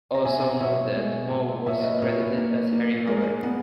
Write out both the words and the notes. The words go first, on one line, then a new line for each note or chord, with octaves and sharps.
Also note that Moe was credited as Harry Howard.
A#5
B3 E5 G#5
B2 C#5 E5
G#3
B2
A#2 C#5 E5
B4 D#5
A#2 A#4 C#5
B4
A#3
A#3
G#3 A#4
B3